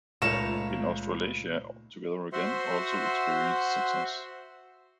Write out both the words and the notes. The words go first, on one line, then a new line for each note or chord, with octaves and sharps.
In Australasia, "Together Again" also experienced success.
C#2 A#2 A3 D#4 C#5 F5 C#7 E7
F#4 C5 E5 F#5 C6